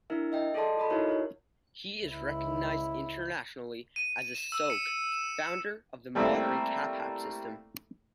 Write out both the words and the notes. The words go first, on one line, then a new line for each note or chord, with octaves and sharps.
He is recognized internationally as a Soke - founder of the modern Kapap system.
D4 E4 A#4 E5
D#5 E5 G5
G#4 A4 D5 D#5 A5 C6
F4 A4 D#5 B5
D#4 E4 F#4 A#4 C#5 E5
C#5
C#2 E4
D#7
E7
E6
C#7
E7
G3 A3 A#3 C4 E4